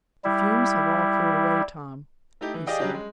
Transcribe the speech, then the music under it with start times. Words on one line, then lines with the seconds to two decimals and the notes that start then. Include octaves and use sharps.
"The fumes have all cleared away, Tom," he said.
0.24 G3 E4
2.41 A3 D#4 E4 G4
2.54 E3
2.67 G4 G#4 D5 D#5 F5 G5
2.79 F#3 G3 C#4 D4 G4 G#4
2.94 G#3